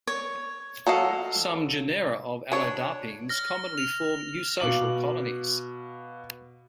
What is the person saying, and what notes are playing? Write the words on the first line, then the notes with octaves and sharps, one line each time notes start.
Some genera of Allodapines commonly form eusocial colonies.
C#5
F#3 A4 D#5 F5
D4 C#5
F6 A#6
F7
B2 F5 D6 F#7